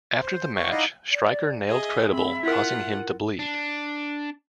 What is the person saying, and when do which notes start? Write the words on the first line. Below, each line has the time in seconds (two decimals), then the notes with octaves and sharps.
After the match, Striker nailed Credible, causing him to bleed.
0.22 C5
0.56 E3 C#5 C#6
0.71 D#4 E4 D5 D#5 F5 F#5
1.10 D5
1.68 G#4 D#5 E5
2.13 C4 B5
2.43 E4 F4 A#4 F#5
3.39 D4